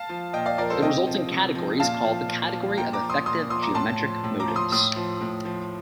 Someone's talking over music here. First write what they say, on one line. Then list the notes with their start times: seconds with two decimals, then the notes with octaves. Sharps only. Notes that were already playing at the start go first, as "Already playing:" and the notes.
The resulting category is called the "category of effective geometric motives".
Already playing: F5 A5
0.09 F3
0.33 A#2 D#5 G5
0.46 D5 F5
0.58 F3 A#4 D5
0.70 A4 C5
0.82 C3 D#5 G5
1.07 F3
1.31 C3
1.55 F3
1.80 A#2 F5 A5
2.04 F3
2.29 A#2
2.53 F3
2.77 A#2 G5 A#5
2.93 A#5 D6
3.01 F3
3.10 C6 D#6
3.26 A#2 C6 D#6
3.50 F3 C6 D#6
3.62 A#5 D6
3.75 A2 A5 C6
4.00 F3
4.24 A2
4.39 A#5 D6
4.47 F3
4.56 C6 D#6
4.72 A2 C6 D#6
4.96 F3
5.21 A2
5.45 F3